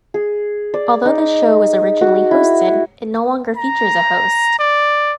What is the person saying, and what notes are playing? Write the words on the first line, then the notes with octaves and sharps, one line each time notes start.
Although the show was originally hosted, it no longer features a host.
G#4
D5
D#4
F#4
E4
A#5
D5